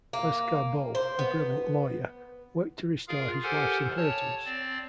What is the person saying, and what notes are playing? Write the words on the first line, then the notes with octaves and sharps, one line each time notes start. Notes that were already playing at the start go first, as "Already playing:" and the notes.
Lescarbot, a brilliant lawyer, worked to restore his wife's inheritance.
A#3
C5
B3
F4 G#4 A#4 F5
G4 A4 A#4 C5 F#5 G#5
C#5 A5
C4 D5